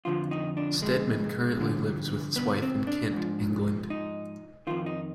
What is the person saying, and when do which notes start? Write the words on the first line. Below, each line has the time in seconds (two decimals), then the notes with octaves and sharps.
Steadman currently lives with his wife in Kent, England.
0.05 F2 D3 F3 F4
0.31 D#4
0.57 D4
0.82 G#3
1.60 G2 D3 F3
2.36 B3
2.62 C4
2.87 D4
3.13 G#2 F3
3.90 D#4
4.67 F2 D#3 F4
4.86 D#4